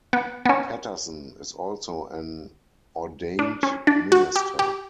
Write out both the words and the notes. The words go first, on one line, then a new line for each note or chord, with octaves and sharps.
Patterson is also an ordained minister.
B3
B3
C#4
D4
C#4
D4
F#4
G4
G4